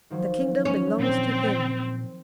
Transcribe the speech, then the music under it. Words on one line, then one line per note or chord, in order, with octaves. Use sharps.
"The kingdom belongs to him."
D#3 F3 F#3
C#4
A#2 C4